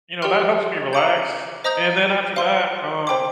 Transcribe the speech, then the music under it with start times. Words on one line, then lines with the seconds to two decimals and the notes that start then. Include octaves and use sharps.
you know, that helps me relax, and then after that, um,
0.22 G4 D5 G5 C6 F6
0.93 F5 A#5 D6 G6
1.64 C5 D#5 A#5 D#6 G6
2.36 C5 F5 C6
3.07 C5 G5 D6